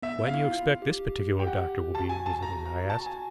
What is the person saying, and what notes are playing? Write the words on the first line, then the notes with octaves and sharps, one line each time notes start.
"Why do you expect this particular doctor will be visited?" I asked.
B3 E5
B3
F5
E4
F4
G4
G5
F#5
F#4 A5
G#5
A5
A#5
A#5
F#4 A5
G#5